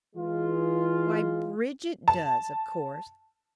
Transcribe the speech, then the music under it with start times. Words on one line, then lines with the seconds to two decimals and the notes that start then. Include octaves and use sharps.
"Why, Bridget does, of course."
0.16 E3 G#3 F4
2.08 A5